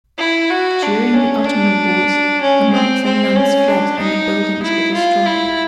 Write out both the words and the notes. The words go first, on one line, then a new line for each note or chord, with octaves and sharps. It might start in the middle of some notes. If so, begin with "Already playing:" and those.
During the Ottoman wars the monks and nuns fled and the buildings were destroyed.
E4
F#4
D4
C#4
D4
C#4
C4
C4
C#4
D4
D#4
E4
F4
E4